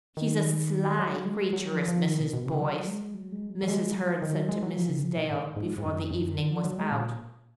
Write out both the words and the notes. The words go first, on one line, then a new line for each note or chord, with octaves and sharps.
"She's a sly creature, is Mrs. Boyce," Mrs. Hearn said to Mrs. Dale, before the evening was out.
D#3
F#3
G#3
F#3
F3
F3
D#3
B2
B2
C#3
F#3
G#3
F#3
G#3
F#3
F#3
G#3
F#3
D#3
F#3
G#3
F#3
F3
C#3
F3
B2
G#2
G#2
G#2
F#2
F#2
D#3
F3
F#3
G#3
A#2